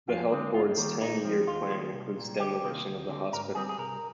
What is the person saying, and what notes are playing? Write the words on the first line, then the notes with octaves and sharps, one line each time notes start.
The health board's ten-year plan includes demolition of the hospital.
F2 F4
D3 G#3 C4
G#2 F4
D#3 G3 A#3
A#2 D#4
F3 C4
D#2 F4
D#3 G3 A#3
C2
A#2 G3
D2 G4
C3 D#3 G3 A#3
D2
D3 G3 C4
G#2 A#4
G3 C4 G#4
G#4
C2 A#4